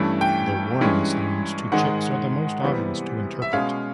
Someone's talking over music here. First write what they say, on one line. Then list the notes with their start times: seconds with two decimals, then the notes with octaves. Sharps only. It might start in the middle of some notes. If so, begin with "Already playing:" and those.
The warning sounds to chicks are the most obvious to interpret.
Already playing: G2 E3 A3 C#4
0.21 G5
0.81 G2 E3 G#3 C#4
1.72 G#2 D#3 G#3 F#5
2.62 C3 E3 G3 B3
3.42 E5
3.53 B2 G#3 C#4 F5